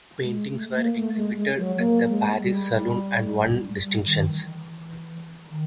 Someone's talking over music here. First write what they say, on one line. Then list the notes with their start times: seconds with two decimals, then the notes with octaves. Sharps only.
Both paintings were exhibited at the Paris Salon and won distinctions.
0.23 G#3
0.54 A3
0.75 A#3
0.95 A3
1.16 G#3
1.37 G#3
1.58 F#3
1.78 A#3
2.08 G#3
2.40 G3
3.64 G3
3.84 G3
4.05 D#3
4.25 E3
5.49 D#3